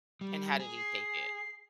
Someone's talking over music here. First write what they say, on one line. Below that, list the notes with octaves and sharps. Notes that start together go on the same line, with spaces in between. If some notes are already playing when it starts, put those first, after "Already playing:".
And how did he take it?
G3
G#4
C7